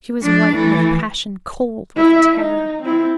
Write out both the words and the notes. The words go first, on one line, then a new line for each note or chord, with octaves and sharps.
She was white with passion, cold with terror.
F3 D4
E3 A3
E4 E5
D#4
C4 E4